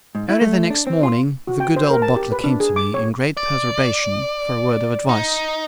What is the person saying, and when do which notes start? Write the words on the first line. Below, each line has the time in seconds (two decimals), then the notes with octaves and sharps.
EARLY the next morning, the good old butler came to me, in great perturbation, for a word of advice.
0.15 G#2
0.29 E4
0.41 A3
0.70 D4
0.87 C4
1.03 F4
1.47 F#4
1.60 G5
1.76 C5
1.90 A#4
2.02 A5
2.16 G4
2.32 B4
2.44 D4
2.60 G#4
2.76 D6
2.94 C#5
3.37 D5
5.09 D#4